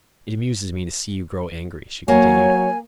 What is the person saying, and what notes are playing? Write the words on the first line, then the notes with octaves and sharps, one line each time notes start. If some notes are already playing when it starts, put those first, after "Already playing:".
"It amuses me to see you grow angry," she continued.
F#3 A#3 C#5 G#5